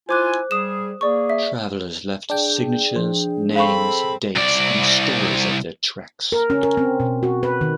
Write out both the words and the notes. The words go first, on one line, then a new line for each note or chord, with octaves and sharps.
Travelers left signatures, names, dates, and stories of their treks.
E4 F4 C5 G#5 D6 F#6
G3 G#4 D#6 E7
A#3 G#4 D5 C#6
E5
D4 G#4 G5
F3
C4 A4 F5 B5 C#6
C2 D5
A#4
C#4
A#4
C4
B2
F#4
B4
D#3